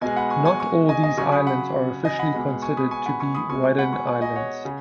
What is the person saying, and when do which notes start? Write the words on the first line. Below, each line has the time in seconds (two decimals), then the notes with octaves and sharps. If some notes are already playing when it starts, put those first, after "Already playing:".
Not all these islands are officially considered to be Wadden Islands.
0.01 B2 G#3 D#5 G#5
0.16 F#5 B5
0.30 G#5 C#6
0.45 G#5 C#6
0.60 G#5 C#6
0.89 D#5 G#5
1.03 D#5 G#5
1.17 C#3 F#3 G#5 C#6
1.32 B5 D#6
1.47 F#5 B5
2.05 D#5 G#5
2.19 F#5 B5
2.34 B2 G#3
2.62 G#5 C#6
2.77 B5 D#6
2.91 G#5 C#6
3.06 F#5 B5
3.20 G#5 C#6
3.34 B5 D#6
3.49 B2 G#3 G#5 C#6
3.79 F#5 B5
3.92 G#5 C#6
4.07 G#5 C#6
4.22 D#5 G#5
4.36 C#5 F#5
4.65 C#3